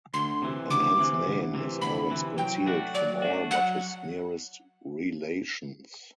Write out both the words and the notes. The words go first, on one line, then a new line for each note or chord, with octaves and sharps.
A man's name is always concealed from all but his nearest relations.
D2 C6
C3 E3
D2 D6
C3 E3
D2
C3 E3
D2 B5
C3 E3
F#3 G5
A3 D4 F#4
F#3 D5
A3 D4 F#4
F#3 F#5